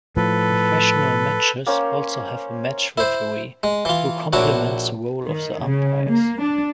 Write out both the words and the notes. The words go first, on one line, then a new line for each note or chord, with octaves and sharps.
Professional matches also have a match referee, who complements the role of the umpires.
A2 F3 A4 B4
A#3 C#4 C5
E4 C5
G#3
E3 F4
A#1 D4 E4 F#4 C#5
D#3
C#3
A#3
D4